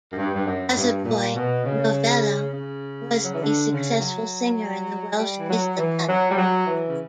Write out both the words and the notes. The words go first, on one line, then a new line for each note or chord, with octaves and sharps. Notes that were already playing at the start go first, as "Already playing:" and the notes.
As a boy, Novello was a successful singer in the Welsh Eisteddfod.
F#2
G2
G2
F#2
F#2
G2
A#2
B2
C#3
C#3
F#3
E3
D3
C#3
F#3
G3
E3
F#3
E3
F#3
G3
F#3
E3
C#3